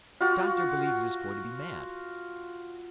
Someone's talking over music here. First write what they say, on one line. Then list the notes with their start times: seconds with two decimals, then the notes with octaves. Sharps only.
A doctor believes this boy to be mad.
0.21 F4 F#4